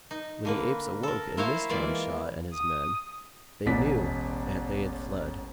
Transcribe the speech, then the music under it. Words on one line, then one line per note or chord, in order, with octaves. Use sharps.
When the apes awoke and missed Janshah and his men, they knew that they had fled.
D#4
D3 A#3 B4
A4 A#4
E4 A#4 C5 C#5 E5 F5
E3 G#3 A#3 F4 D5
D#6
E1 A1 B2 D5 B6